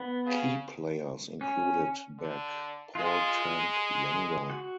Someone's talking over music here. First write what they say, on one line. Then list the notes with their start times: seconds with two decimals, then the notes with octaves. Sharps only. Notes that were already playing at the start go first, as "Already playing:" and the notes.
Key players included back Paul "Tank" Younger.
Already playing: B3
0.26 C#3
1.41 C#4
2.19 D3
2.95 G#3 F4
4.50 F#4